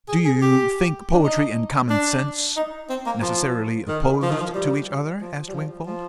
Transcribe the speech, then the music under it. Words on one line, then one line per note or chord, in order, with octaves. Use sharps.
"Do you think poetry and common sense necessarily opposed to each other?" asked Wingfold.
G#4
G#4
G4
D4
D#4
D4
D#4
C4
A#3
F3
D#3
F3
D#3
F3
G3
F3
G3
F3
F3